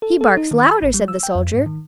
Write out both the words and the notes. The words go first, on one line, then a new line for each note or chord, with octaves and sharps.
"He barks louder," said the soldier.
A4
A4
D#4
D#3
B5
A1
G3
E6
G5
F2
G#2
D#3